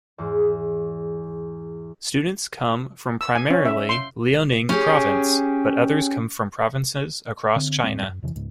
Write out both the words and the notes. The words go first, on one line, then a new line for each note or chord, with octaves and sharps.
Students come from primarily Liaoning Province, but others come from provinces across China.
E2 G#2
E6
G#5
C#4
E5
C6
C#4 G4 G#4
D3 C4
D#1 A2 G#3 C4
F#2
E2 C3 E3
C#2 G#2